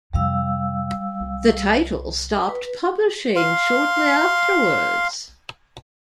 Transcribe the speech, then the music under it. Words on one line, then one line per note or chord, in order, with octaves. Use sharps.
The title stopped publishing shortly afterwards.
F2 C3 G3 F5 E6
C2 F#3
B4
F5 C6